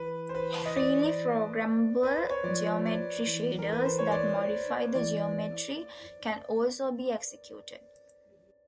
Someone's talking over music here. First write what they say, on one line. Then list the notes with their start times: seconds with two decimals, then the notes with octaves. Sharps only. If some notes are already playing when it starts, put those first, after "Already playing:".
Freely programmable geometry shaders that modify the geometry can also be executed.
Already playing: E3 B4
0.29 C5
0.35 B4
0.65 D#5
0.76 D5
2.03 B4
2.17 C5
2.30 C#5
2.44 F3 D5
2.85 D5
3.28 E3
3.59 A#4
3.72 B4
3.85 C5
3.99 C#5
4.11 D5
4.95 E3 D5